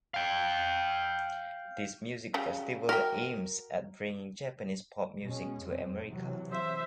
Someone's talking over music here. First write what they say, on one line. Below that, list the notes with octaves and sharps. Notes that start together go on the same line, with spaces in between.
This music festival aims at bringing Japanese pop music to America.
F5 G5
C#3 F#3 G3
F#4 A#4 E5 G5
B2 G#3 C#4
F2 C4
C3 E3 F#3
C5 E5